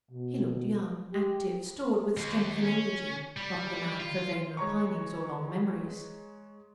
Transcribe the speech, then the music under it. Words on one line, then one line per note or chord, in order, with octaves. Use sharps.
He looked young, active, stored with strength and energy; not the man for vain repinings or long memories.
B2
G4
D#2
C#4
G3
F4
G#3 C#5 A#5 C#6